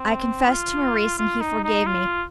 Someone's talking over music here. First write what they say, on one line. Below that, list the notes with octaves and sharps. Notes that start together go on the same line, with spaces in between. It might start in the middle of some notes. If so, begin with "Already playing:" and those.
I confessed to Maurice, and he forgave me.
Already playing: C4
F4
F4
D#4
D#4
F4